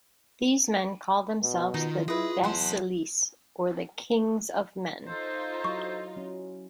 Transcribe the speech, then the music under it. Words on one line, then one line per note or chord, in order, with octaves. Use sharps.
These men call themselves the "basileis", or the "kings of men".
B2
D#3 D#4 F4
E4 G#4 B4 D#5
E2 F#3 F#5 A5 C6
D#4 F4 A4 C5
F#3 E4 C#6
F#3 C#4